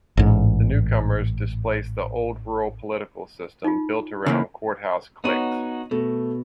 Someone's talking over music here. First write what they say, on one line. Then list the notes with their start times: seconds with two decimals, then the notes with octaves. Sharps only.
The newcomers displaced the old rural political system built around courthouse cliques.
0.17 A1 G#2
3.64 D#4 F4
4.26 C#3 E3 A#3
5.24 B3 D#4 F#4 C#5 D#7
5.91 B2 A3